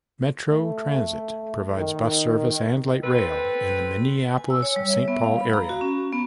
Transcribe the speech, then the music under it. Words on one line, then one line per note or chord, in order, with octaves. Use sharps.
Metro Transit provides bus service and light rail in the Minneapolis-Saint Paul area.
A3
D#3
C4 A4 B4
G#5
E6
C#5
G3
E5
B3
F5
B5
A#5
F#4
C#4
B3